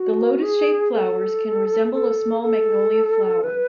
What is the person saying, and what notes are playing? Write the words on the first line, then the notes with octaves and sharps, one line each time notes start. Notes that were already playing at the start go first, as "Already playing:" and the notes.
The lotus-shaped flowers can resemble a small magnolia flower.
Already playing: F#4
G#4
A4
A4
A4
B4